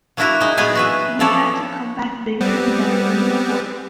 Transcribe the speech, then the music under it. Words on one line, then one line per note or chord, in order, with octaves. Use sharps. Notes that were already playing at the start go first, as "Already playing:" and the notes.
We had to come back bigger and better than before.
F#3 A#3 D4 E4 F#4 A#4
G#3 D#4
A#2 F#3 G#3 B3 G#4 G#5
F#4 B4 E5
F3 B3 A4 C#5 D5
G3 B3 C4